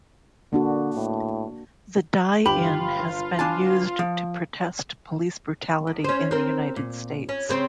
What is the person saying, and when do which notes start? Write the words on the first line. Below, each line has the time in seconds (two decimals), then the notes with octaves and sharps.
The die-in has been used to protest police brutality in the United States.
0.53 D3 A#3 D4 F#4
0.96 A2
2.46 G1 F4 G4 B5 F#7
3.39 D4 G#5 A5
3.99 F3
5.87 E2
6.04 C#4 C5
6.31 C4 A#4
6.76 A#2
7.29 C#4
7.49 C#3 C4 C5